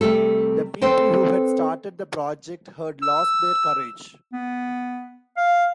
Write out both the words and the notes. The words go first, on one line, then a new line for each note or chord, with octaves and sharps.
The people who had started the project had lost their courage.
C3 G3 A3 A4
C4 A4 B4 C5 D#5 G5
E6
B3
F5